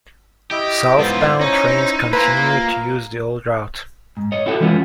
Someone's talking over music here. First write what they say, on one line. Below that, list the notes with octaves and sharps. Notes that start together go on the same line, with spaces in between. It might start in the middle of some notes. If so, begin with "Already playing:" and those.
Southbound trains continued to use the old route.
E4 G4 D#5
G#2 B3 F4 C5
C#4 D#4
A#3 B4 C5 G#5 A#5
F4 A#4 A#5
G#2
C#5 D#5
E4 F#4 G4 A4
E3 G#3 B3 C#4 D#4 F4